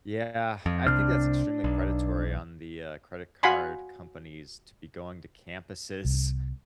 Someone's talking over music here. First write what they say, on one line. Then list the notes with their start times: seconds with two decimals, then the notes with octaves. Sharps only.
Yeah, I think that's extremely predatory on the, uh, credit card companies to be going to campuses
0.66 F2
0.87 C2 C3 D4 F6
1.64 B1
3.43 F#4 F5 F#5 G#5 B5 C6
6.05 C2